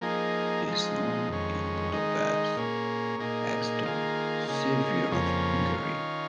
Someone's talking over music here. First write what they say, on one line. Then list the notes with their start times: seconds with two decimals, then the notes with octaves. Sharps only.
He is known in Budapest as the "Saviour of Hungary".
0.01 F3 A#3 D#4 G#4
0.65 F3 G#3 D#4
1.28 F2 D#3 G#3 C#4
1.92 D#3 G#3 D#4
2.57 A#2 A#3 C#4 G#4
3.20 A#2 A#3 D#4 G#4
3.83 D#3 A#3 F4 G#4
4.48 C#3 A#3 D#4 G#4
5.11 F2 C#3 F3 A#3 C#4
5.75 D#3 C#4 F4